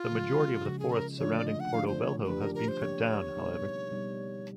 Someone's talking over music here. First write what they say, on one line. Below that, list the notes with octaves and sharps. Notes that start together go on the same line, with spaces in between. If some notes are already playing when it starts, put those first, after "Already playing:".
The majority of the forest surrounding Porto Velho has been cut down, however.
Already playing: F4
C#3 F3 G#3
C#3 F3 G#3 F#4
G#4
A#4
D3 F3 A3 D4 F4 C#5
D5
D#5
F#5
D3 F3 A3 D4 F4 F5
C5
C#5
A#4
F3 A#3 D4 G4 B4
A#4
A#4
C5
F3 A#3 D4 G4 C#5
B2 G3 B3 D#4 G#4
B2 G3 B3 D#4 G#4